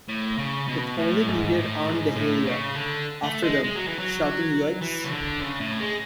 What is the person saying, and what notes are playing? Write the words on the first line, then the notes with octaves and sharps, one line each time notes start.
It only needed Aunt Dahlia after them, shouting "Yoicks!"
A2
C#3
B2
A2
G#2
A2
G#2
A2
C#3
D3
A3
G#3
G#3
F#3
E3
F#3
E3
C#3
D3
C#3
A2
G#3